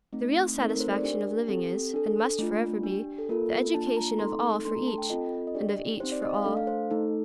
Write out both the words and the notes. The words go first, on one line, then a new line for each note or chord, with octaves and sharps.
The real satisfaction of living is, and must forever be, the education of all for each, and of each for all.
A3 C4 D#4
A3 C4 D#4 A4 C5
A#4
C5
D5
D4 G4 A#4
C4 G4 A4
D4 A4
A3 D4 F4
D4 G4
A4
A#3 F4 A4 A#4
A#3 D4 F4 A5
A#5
A3 C4 D#4 A4 C6
A3 D4 A4 C6
A#5
A5
G5
C4 F4 A4 D#5
D#5
D4 G4 D5
C4 D#4 G4 C5
D5
D#5
F5
A3 D4 A4
F5
C5
A3 D#4 A4